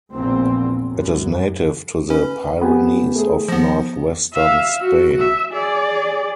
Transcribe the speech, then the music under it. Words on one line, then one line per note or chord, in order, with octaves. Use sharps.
It is native to the Pyrenees of Northwestern Spain.
A#1 E2 A#2 C4
F#2
C#4 B4
B3 G4 G#5
A3 G#4
F3 B3 A#6
E5 F5
F#4
E5
G#4 D5